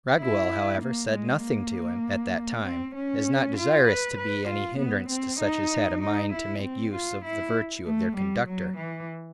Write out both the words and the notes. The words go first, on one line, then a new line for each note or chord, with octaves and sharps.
Raguel however said nothing to him at that time, as not desirous to be any hinderance to such as had a mind to make use of the virtue of their conductor.
E4
A#3
G#3
A#3
C4
C#4
F4
B4
B4
F4
B3
C4
D#4
D#4
E4
C4
F4
E4
A3
G3
F#3
E3